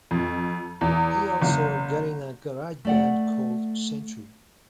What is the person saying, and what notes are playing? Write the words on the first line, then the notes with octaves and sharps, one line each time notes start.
He also got in a garage band called "Century".
F2
E2
F#1
A3 D5 F#5